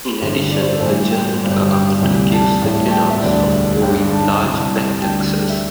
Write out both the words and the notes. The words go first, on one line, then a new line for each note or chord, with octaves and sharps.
In addition, the German government accused the tenors of owing large back-taxes.
A1 G2 D3 G3
D5
C5
A4
A1 A2 E3 G3 C5
G5
G1 G2 G3
G5
D2 C3 E3 G3
A5
A1 A2 G3
A5
G5
E5
E1 D2 D3 G3 D5
G1 G2 D3 G5
A5
C2 C3 G3
A5
D2 D3 G3 G5
E5